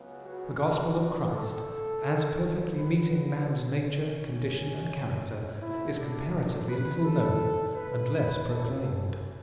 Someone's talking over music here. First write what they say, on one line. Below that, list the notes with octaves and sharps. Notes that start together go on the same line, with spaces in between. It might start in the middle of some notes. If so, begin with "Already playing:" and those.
The gospel of Christ, as perfectly meeting man's nature, condition, and character, is comparatively little known, and less proclaimed.
Already playing: C#2 C#3 F#3 B3
F#4
A4
G#2 F#3 B3 B4
B4
D4
C#4
C#2 B2 A3 E4
D4
D4
B4
A4
B4
F#2 E3 B3 A4
A4